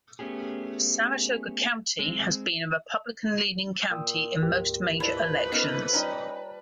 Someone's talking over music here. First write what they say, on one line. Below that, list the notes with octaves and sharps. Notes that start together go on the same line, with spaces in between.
Saratoga County has been a Republican-leaning county in most major elections.
A3 B3 C#4 G4 G#4
G#3 C4
A#2 G5 D#6 E6
D2 G#2 G4
F3 E4 B4 D5 D#5
A3 B3 C#4 D#4 A#4 D#5
G3 C#4 D#4 C#5 D#5 A5 A#5